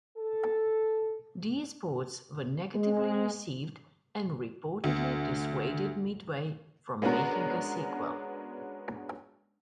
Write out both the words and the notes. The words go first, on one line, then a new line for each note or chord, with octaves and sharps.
These ports were negatively received and reportedly dissuaded Midway from making a sequel.
A4
G#3
D2
G#3 B3 C#4 D4 F#4 A#4